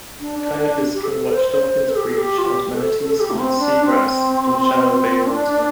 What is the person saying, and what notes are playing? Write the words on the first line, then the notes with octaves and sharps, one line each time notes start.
Kayakers can watch dolphins breach and manatees eat sea grass, in shallow bay water.
D4
D4
D4
G4
A4
C5
C5
A4
G4
A4
G4
F4
G4
A4
A4
A4
G4
A3
C4
D4
C4
D4